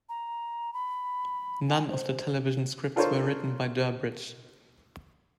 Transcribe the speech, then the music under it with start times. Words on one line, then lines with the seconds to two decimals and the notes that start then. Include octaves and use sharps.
None of the television scripts were written by Durbridge.
0.09 A#5
0.74 B5
1.69 G#5
1.90 C5
2.96 D4 F4 A4 A#4 C5 C#5